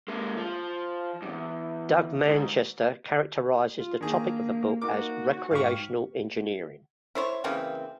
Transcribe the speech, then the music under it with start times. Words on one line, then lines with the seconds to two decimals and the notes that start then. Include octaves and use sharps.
Doug Manchester characterizes the topic of the book as "recreational engineering".
0.08 G#3 A#3
0.37 F3
1.22 E2 G2
2.27 G#2
3.79 F4
4.01 D#3 A#3 D4 G#4
4.81 A#3 D#4 F#4 A#4 D6
5.51 G#2 F5 G5 C#6 B6
7.15 E4 C5 C#5
7.44 C#3 E3 A#3 C4